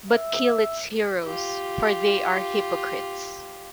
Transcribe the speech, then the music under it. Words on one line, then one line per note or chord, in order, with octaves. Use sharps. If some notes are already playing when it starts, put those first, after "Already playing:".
But kill its heroes for they are hypocrites.
E5
F4 G4